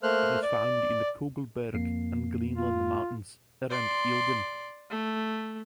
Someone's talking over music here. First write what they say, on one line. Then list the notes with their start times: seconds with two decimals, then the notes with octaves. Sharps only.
It is found in the Kogelberg and Greenland mountains around Elgin.
0.03 A3 A#3 C5 F6 F#6
0.43 D5
1.74 F2 A#3 C7
2.55 F4
3.70 D5 C6
4.90 A3